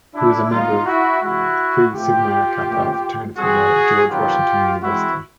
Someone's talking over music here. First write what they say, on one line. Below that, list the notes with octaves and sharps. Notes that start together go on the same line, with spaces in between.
He was a member of Phi Sigma Kappa fraternity while at George Washington University.
D4 E4
A#2 G3 B3 D#4 F4
E4 F#4
C3 E3 G#3 E4 F#4
A2 F3 A3 C4 F4 G4
A#2 F3 A3 C#4
E3 G3 C4 F#4 G#4
C3 D#3 F#3 B3 F4 G4
E3 G#3 C4 E4 F#4